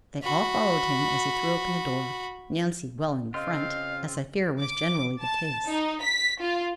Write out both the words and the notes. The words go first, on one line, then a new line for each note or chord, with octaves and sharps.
They all followed him as he threw open the door, Nancy well in the front, as I fear was generally the case.
F#4 B5
C#3 C4 F4 D#5 F5
D6
A5
D#4
B6
F4